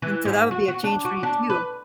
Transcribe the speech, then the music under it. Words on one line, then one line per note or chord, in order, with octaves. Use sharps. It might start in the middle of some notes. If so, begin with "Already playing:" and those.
And to that would be a change for you too.
E3
G#2
F#4
F#4
D4
F#4
D4
B4